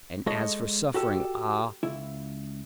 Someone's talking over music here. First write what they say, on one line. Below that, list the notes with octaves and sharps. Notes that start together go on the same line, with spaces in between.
And as for suffering--ah!
G#3 A4 C#5 D#5
F#4 G4 A4
C#2 E4